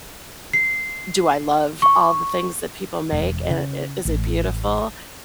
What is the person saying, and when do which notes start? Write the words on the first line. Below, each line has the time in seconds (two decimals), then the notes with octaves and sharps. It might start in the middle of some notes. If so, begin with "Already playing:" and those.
do I love all the things that people make, and i is it beautiful?
0.53 C7
1.82 C#6
3.12 E1
3.50 C#3
4.05 A1